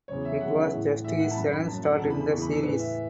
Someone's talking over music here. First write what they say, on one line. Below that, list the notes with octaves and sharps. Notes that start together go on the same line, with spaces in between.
It was just his second start in the series.
E2 C#3 F#3 C#5
E5
E2 C#3 F#3 F#5
A2 E3
A2 E3 E5
F#5
A5
F#2 F#3 B5
B5
F#2 F#3 A5
F#5
E2 C#3 E3 A5
B5
B5
E2 C#3 E3 C#6
B5
A4
A2 E3 B4
E5